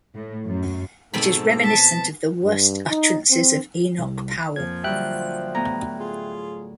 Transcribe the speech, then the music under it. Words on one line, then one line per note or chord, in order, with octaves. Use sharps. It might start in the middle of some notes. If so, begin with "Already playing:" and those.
It is reminiscent of the worse utterances of Enoch Powell.
A2
F#2
G#2 B2 C4 A4 B5
A5 B6
G2
D#4
C4
C2
F2 A#2 F3 G#6
D3 F#3 G3 E5 G5 F#6
A2 B3 A#5
F4 G#4